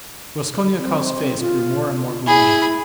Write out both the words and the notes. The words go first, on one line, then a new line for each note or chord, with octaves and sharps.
Raskolnikov's face grew more and more gloomy.
C4
F4
E4 G#4 B5